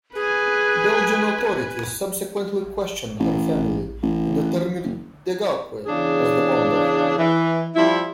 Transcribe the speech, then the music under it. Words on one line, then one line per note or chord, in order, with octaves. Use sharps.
Belgian authorities subsequently questioned her family and determined Degauque as the bomber.
G#4 B4 G#5
A1
A1
F#1
E2 C#3 D4 G#4
E3
F3 G3 E4